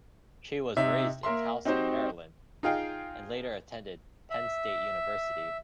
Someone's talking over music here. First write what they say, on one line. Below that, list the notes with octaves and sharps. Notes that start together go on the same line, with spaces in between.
She was raised in Towson, Maryland, and later attended Penn State University.
C3 D#4 E5
A#3 A#4 E5 C6
C4 D#4 F#4 G4 C5
D#4 F4 G#4 F5 G5
E5